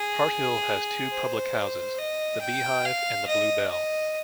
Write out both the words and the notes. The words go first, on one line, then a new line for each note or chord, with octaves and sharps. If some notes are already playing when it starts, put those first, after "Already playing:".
Harthill has two public houses: the "Beehive" and the "Blue Bell".
Already playing: G#4
C5
D#5
G5
F5
D#5
D#5